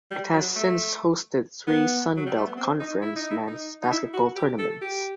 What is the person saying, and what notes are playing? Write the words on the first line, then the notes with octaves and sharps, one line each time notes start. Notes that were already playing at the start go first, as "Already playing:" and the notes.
It has since hosted three Sun Belt Conference men's basketball tournaments.
G3
F#3
A3
B3
F#3
G3
A3
B3
C4
D#4
E4
D#4
E4
D#4
D#4
E4
F#4
G4
A4
G4